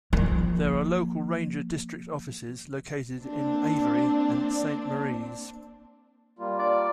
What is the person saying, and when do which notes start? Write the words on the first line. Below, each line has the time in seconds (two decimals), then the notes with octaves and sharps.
There are local ranger district offices located in Avery and Saint Maries.
0.13 F3 A#3
3.21 A#3 C4 D4
6.39 G3 A#3 F4
6.59 D5